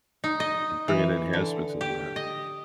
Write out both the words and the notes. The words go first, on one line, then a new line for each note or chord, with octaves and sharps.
bringing enhancements into that.
D#4
D#5
E3
D3
G4
D#5